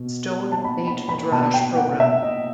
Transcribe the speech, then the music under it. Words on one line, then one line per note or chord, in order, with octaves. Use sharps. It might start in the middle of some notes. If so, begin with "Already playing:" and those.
Stone Beit Midrash Program.
Already playing: B2
A5
B5
B5
B5
B2 A5
G5
F#5
F#5
E5
D#5